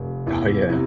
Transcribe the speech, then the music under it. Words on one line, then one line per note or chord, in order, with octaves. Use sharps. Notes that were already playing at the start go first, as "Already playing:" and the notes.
Oh, yeah.
Already playing: F1
E2 E4
C3 E4